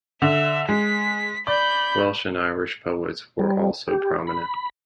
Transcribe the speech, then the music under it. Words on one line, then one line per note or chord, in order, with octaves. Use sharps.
Welsh and Irish poets were also prominent.
D3 E5
G#3 B6
D5 B5 G6
G3
G4
B5